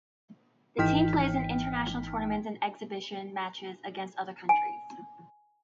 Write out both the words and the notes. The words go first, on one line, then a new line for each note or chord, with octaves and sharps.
The team plays in international tournaments and exhibition matches against other countries.
G#1 E3 D#4 G5 F6 B6
G#5